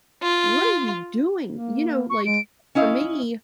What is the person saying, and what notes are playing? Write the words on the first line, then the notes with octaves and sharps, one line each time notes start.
"What are you doing?" You know, like, for me,
F4
A#3
C#6
G#3 D7
C#4 E4 D#5 F5